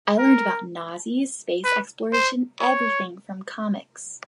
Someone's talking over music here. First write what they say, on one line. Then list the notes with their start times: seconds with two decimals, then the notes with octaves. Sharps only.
I learned about Nazis, space exploration, everything from comics.
0.18 A#4
1.64 B4
2.13 C5
2.60 C#5